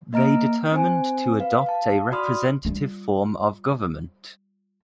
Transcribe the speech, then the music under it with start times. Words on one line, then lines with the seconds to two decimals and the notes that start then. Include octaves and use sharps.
They determined to adopt a representative form of government.
0.13 A#3 D#5 A#5 F6 D7
0.72 C4 C5 G#5
1.40 B4 F5
1.66 F5 A5
2.12 F#4 D5 B5 C6 D#6 F6
2.65 G3 F4